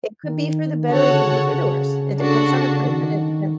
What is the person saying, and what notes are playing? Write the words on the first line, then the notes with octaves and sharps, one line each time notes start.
It could be for the better, it could be for the worse. It depends on the person, it depends
D#3
D3 F#4 A4 C#5 F#5
C#3
C#3
C#3
D4 F#4 A4
D#3